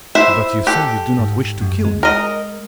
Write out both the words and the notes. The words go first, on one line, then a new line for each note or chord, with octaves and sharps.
"But you say you do not wish to kill me?"
E4 C5 E5
G4 A4
G#2
F#2
G#3
A#4 D#5